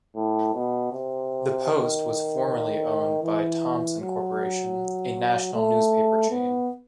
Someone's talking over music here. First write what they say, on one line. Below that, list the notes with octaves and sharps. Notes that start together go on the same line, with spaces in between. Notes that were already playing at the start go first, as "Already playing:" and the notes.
The "Post" was formerly owned by Thomson Corporation, a national newspaper chain.
A2
B2
C3
D#3
E3
F#3
A3
B3